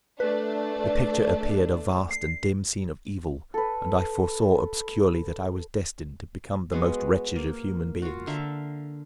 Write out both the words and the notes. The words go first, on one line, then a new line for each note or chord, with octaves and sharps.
The picture appeared a vast and dim scene of evil, and I foresaw obscurely that I was destined to become the most wretched of human beings.
A3 D4 B4
C7
A4 B4
G#3 B3 F#4
A#3
F4 F#4
D3 E5 F5 A#5